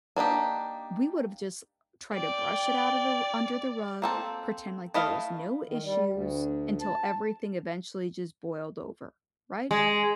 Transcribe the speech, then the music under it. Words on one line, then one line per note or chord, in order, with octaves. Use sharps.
we would've just tried to brush it out of the r under the rug, pretend like there was no issues, until everything eventually just boiled over," right?
A#3 D4 D#4 G4
D5 G5
A#3 C4 A4
A3 E4 D#5 F5
D#3
G3
D2
A5
G#3